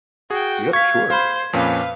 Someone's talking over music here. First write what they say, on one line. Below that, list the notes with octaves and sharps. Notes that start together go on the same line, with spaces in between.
Yep, sure.
F#4 G#4 G5
F5 C#6 G#6 B6
C5 F5 B5
F2 A#2 C#4 B4 F5